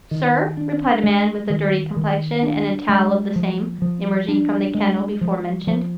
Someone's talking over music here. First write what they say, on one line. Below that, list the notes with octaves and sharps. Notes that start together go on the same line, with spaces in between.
'Sir?' replied a man with a dirty complexion, and a towel of the same, emerging from the kennel before mentioned.
D#3
D4
G#3
D#3
D#3
D4
G#3
F3
F3
D4
G#3
F3
F3